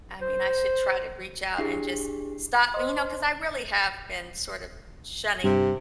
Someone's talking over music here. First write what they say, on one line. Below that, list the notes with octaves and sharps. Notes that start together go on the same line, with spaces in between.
I mean, I should try to reach out and just stop you know, 'cause I really have been sort of shunning
C5
D4 E4 G4 G#4 C7
C5 D#5 C6
G2 C3